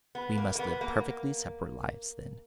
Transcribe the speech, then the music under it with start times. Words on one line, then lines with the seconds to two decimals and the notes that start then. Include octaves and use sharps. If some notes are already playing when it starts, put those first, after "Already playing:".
We must live perfectly separate lives, then.
0.15 B3
0.38 A#3
0.55 A#3
0.59 B3
0.81 A#3